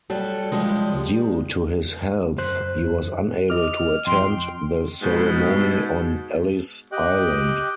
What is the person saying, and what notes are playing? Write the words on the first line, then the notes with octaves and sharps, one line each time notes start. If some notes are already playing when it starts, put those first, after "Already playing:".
Due to his health, he was unable to attend the ceremony on Ellis Island.
F#3 G3 A4
F3 G3 G#3
F#2 C5 F#6
D#5 D6 F6
F2 G5 C6
G#2 B2
G4 D#5 G5 F#6